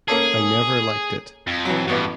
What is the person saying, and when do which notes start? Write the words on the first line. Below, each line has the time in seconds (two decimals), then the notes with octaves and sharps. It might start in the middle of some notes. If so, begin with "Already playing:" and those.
I never liked it.
0.08 A#3 C#4 G#4 A4
1.47 F2
1.65 E3 F#3
1.87 A1 G2 B3 F#4